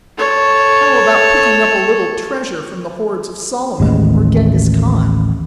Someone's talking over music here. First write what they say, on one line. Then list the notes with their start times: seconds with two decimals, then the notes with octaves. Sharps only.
How about picking up a little treasure from the hoards of Solomon or Genghis Khan?
0.17 A4 C#5
3.80 A1 D#2 G#3